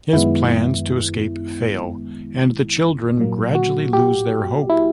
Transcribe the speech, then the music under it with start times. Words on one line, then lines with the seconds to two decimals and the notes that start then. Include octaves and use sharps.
His plans to escape fail, and the children gradually lose their hope.
0.13 F#2 D#3 G#3 B3 E4
3.18 A#2 F#3 A#3
3.55 F#4
3.93 G4
4.70 E4